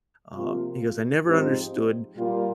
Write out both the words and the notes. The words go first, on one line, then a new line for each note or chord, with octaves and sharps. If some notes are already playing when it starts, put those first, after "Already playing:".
um, he goes, "I never understood
C3 F3 A#3 F4
G#2 F3 C4 D#4 G4
A#2 G3 A#3 F4